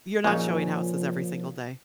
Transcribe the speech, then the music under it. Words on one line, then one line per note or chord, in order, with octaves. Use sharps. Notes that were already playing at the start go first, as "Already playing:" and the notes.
You're not showing houses every single day.
A#2 C#3 F3 C#4 D#4